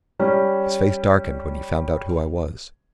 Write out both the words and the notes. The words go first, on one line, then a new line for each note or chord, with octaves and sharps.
His face darkened when he found out who I was.
G3 C#4